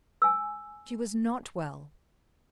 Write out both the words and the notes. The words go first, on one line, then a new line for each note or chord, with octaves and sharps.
She was not well.
G#5 E6